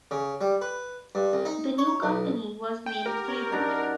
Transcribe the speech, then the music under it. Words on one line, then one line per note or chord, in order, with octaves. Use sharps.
The new company was named Clevite.
C#3
G3
B4
G2
C2
D#4
C#5
B1
G5
G4 A#4
C#5
F#2 D4 D#4